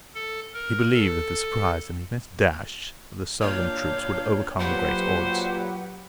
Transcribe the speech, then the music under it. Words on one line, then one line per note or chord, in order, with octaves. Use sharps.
He believed that the surprise and the immense dash of the Southern troops would overcome the great odds.
A4
A#4
A4
A#2 D4 C#5 F5 G6
A#2 F#3 G4 B4 C5 F#5